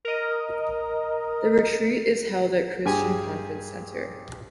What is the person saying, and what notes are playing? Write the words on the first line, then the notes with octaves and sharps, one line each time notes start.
The retreat is held at Christian conference center.
A#4 D#5
G2 G4 G#4 G#5